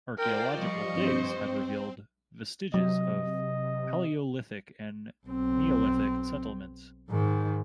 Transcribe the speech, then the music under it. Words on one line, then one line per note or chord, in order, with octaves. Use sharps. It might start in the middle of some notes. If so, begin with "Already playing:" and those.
Archaeological digs have revealed vestiges of palaeolithic and Neolithic settlements.
F4 A#4 C5 D5 G5
F3 G3 D#5 C#6
G2 C4 C5
C4
C3 F#3 D#5
B1 C4
G#2 D#3